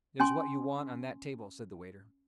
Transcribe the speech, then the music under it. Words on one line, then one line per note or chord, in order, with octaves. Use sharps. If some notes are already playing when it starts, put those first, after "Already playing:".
"There's what you want on that table," said the waiter.
C#4 G#5 C6